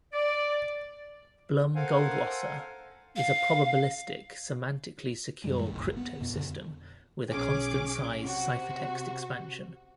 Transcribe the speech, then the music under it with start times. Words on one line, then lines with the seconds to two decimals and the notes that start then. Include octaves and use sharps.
Blum-Goldwasser is a probabilistic, semantically secure cryptosystem with a constant-size ciphertext expansion.
0.13 D5
1.75 A4 A#4 C5 F5 F#5 G#5
3.16 F5
5.44 F#2 D#3 G3 G#3
5.69 F#1 C2 A#2
5.97 B3
6.21 F2 B2
6.33 F2 D3
7.30 B1 C#4 G#4 D6
8.21 C3 F#4